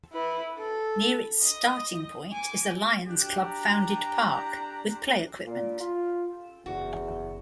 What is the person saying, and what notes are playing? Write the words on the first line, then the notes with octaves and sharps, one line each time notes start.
Near its starting point is a Lions Club founded park, with play equipment.
E4 B4
A4
D#5
G#5 D6
D4 G4
A#5
A#2
F4
F#1 E2 F#4